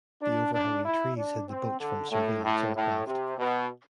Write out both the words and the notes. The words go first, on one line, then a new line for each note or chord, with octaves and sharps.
The overhanging trees hid the boats from surveillance aircraft.
D4
D4
E4
D4
C4
D3
A2
A2
A2
C3
B2